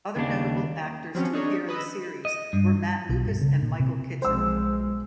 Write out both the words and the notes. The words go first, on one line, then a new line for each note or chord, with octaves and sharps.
Other notable actors to appear in the series were Matt Lucas and Michael Kitchen.
D#2 C#3 D4
F3 F#3 C4 C#4
D4 D#4 G#4 C#5
B4 D#5 B5 E6
D#5
G2
B1
G2
C#3
A#2
C3
B1 F3 G#3 C5 E6